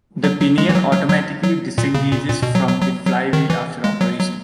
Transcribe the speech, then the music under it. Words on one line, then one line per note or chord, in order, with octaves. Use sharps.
The pinion automatically disengages from the flywheel after operation.
F#3
F#3
G#3
E3
F#3
F#3
F#3
F#3
A#2
C#3
A#2
A#2
B2
F#3
F#3
F#3
F#3
D#3
E3
G#3
F#3
F#3